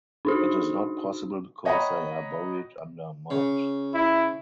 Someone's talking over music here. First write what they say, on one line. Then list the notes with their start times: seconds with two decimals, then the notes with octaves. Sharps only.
It is not possible because they are buried under mud.
0.25 D4 D#4 F#4
1.65 C#5 D#5 F#5 G5 A#5 B5
3.30 C#3
3.94 E4